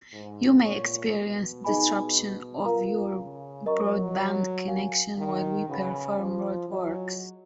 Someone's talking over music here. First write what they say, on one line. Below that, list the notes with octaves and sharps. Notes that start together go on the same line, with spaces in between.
You may experience disruption of your broadband connection while we perform road works.
G#2
A#2 C#5 F#5 C#6
B2
D#4 G#4 D#5 G#5 B5
F4 A#4 F5 A#5
C#3
F#3 A#4 D#5 A#5 C#6
A#4 F5 G#5
D#3
C#3 F#4 B4 F#5 B5
F3
F#3 F4 G#4 D#5 G#5